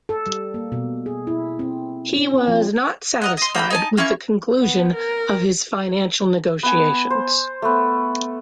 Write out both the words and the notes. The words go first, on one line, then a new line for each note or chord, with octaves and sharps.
He was not satisfied with the conclusion of his financial negotiations.
A4
G3
A#3
B2
G#4
E4
C4
C#4
C4
F3
A#4 D#5 F#5
D#5 C6
A#3 G5 A#5 B5
D#4 G#5 A5
A#3 C#4 E4 C#6
B3
A#4
B3 G#5
C5
A3 B3